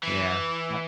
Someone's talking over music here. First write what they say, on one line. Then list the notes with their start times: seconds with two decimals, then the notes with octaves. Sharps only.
Yeah I
0.03 E3